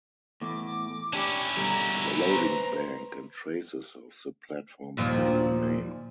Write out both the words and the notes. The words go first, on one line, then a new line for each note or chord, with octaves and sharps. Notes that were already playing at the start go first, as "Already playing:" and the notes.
The loading bank and traces of the platform still remain.
E2 A2 D6
C#4 D4 E4 G4
B2 D3 G3 A#5
B4 C5 A#5
D#2 A#2 F3